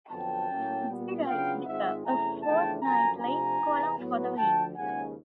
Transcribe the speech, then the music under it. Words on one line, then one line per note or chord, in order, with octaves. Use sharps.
De writes Detour, a fortnightly column for The Week.
F2 D3 F#3 B3 G5 A5
A2 F#3 A#3 C#4
A#2 G3 B3
C#3 F#3 B3 D4 F4 F5 G5
G#2 D#3 G#3 C4 F4 E5 F#5
E2 C3 E3 A3 C#4 G#5 A#5
E2 C#3 F3 A3 D4 G5 A5
F#2 D3 F3 G#5 A#5
C3 F3 A3 D4 F4 G#5 A#5
E2 C3 E3
A2 F#3 B3
D2 D3 F3 G5 A5
D#2 C#3 F3 G#3 C#4 F#5 G#5